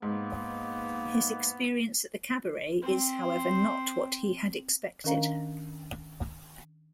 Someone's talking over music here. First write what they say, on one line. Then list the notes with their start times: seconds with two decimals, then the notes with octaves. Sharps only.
His experience at the cabaret is however, not what he had expected.
0.02 G#2 A#3 B3
2.82 C4 C5
5.04 D#3 C#4 D4 A#4 F5 A#5